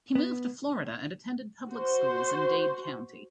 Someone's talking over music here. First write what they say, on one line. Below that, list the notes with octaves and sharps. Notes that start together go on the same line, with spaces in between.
He moved to Florida and attended public schools in Dade County.
B3
F#4 C5